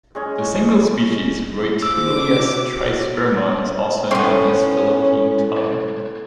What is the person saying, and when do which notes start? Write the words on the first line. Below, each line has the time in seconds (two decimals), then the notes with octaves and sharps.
The single species, Reutealis trisperma is also known as Philippine tung.
0.15 G#3 C#4 C#5
1.83 F4 G#4 C5 D6 E6
2.34 F#4 G4
4.11 A2 B3 C#4 G5 C6 C#6